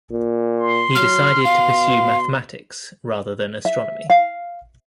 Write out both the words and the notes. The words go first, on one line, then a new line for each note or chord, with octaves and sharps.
He decided to pursue mathematics, rather than astronomy.
A#2
C6
F#3 F6
B2 F5
E5
F5